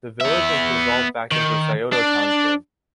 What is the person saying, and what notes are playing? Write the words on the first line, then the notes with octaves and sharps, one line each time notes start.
The village was dissolved back into Scioto Township.
B3 E5
D#3
D4